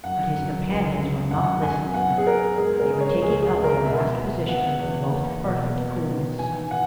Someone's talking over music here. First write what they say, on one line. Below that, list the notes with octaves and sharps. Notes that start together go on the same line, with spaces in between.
But his companions were not listening; they were taking up their last positions with the most perfect coolness.
F#2 F#5
F#2
C#2
C#3
F#2 F#5
F#2 G#5
B3 F#5
G#4
B3 A#4
G#3 G#4
A#4
G#3
C#5
C#2 G#4
G#4
C#2
A#4
B2 E5
B2
B3 F#5
E2
A#3
B2
B3
D#3
E3 G#5
F#5